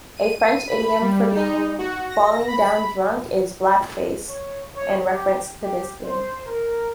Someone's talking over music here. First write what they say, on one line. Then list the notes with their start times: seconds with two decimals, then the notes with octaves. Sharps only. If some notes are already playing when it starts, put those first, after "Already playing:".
A French idiom for being falling-down-drunk is "black faced" in reference to this game.
0.17 D#7
0.67 B5
1.02 G3
1.36 D#4
1.79 F#4
2.10 A#6
2.47 B5
4.28 C#5
4.75 C#5
5.05 G4
5.61 G4
6.04 C5
6.46 A#4